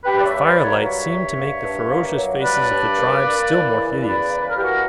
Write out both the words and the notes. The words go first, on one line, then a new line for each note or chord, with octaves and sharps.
The firelight seemed to make the ferocious faces of the tribe still more hideous.
G2 G4 B4
D5
C#5 E5
A#3
B4 D5
F#3
A#4 C#5
G2 C#5 E5
G2
A#3
G2
A#3
F#3
G2 B4 D5
G2
A#3
A#3
E3
C#3
E2 B4 D5
A#3
B4
A#4
E3 G4
F#4 A#4